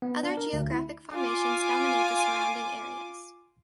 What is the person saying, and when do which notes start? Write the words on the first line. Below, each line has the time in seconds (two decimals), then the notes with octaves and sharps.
Other geographic formations dominate the surrounding areas.
0.02 B3
0.23 D4
0.37 A#4
0.53 D2
0.71 E4
1.15 F4 G#5 D6